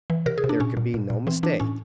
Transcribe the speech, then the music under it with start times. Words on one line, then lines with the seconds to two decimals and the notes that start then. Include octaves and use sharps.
There could be no mistake.
0.10 E3
0.26 C3 A#4
0.38 G#4
0.44 C3
0.49 D4
0.60 A#2 C#4
0.77 A#2
0.94 A#2
1.10 A#2
1.27 E3 C4
1.43 E3 D4
1.60 A2 C#4